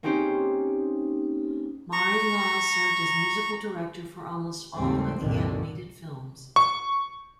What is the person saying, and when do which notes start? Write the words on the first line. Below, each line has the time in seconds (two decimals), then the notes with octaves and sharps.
Maury Laws served as musical director for almost all of the animated films.
0.03 A#3 C4 C#4 D#4 G4 C5
1.92 A#5 C#6
4.76 D#2 G#2 C#3 G3 A3 C4
5.18 C2 F#2 A#2 D3 D#3
6.56 C#6